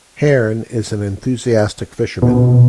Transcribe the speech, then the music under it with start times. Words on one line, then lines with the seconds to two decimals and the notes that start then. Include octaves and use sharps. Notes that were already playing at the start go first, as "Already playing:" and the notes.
Hearn is an enthusiastic fisherman.
2.22 B2